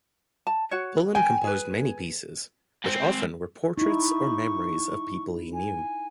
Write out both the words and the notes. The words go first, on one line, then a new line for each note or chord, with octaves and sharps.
Pullen composed many pieces, which often were portraits or memories of people he knew.
A5
F#4 C#5
G5 G#5
G#4 B4
G#2 C4
D#4 E4 C#6
G#5